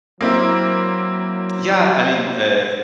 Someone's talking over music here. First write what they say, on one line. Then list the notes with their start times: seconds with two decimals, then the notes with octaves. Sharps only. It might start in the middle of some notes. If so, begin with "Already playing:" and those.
yeah, I mean, uh,
0.21 F#3 A#3 C4 E4